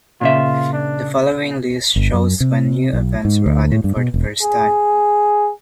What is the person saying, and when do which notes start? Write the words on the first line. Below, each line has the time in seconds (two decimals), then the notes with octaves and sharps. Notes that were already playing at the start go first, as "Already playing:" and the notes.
The following list shows when new events were added for the first time.
0.21 A#2 C#3 F4 E5
0.73 D4
1.96 G1
2.13 F#2
2.40 C3
2.93 B1
3.25 G#2
3.46 D2
3.72 A2
3.84 G2
3.97 B2
4.14 E1
4.42 G#4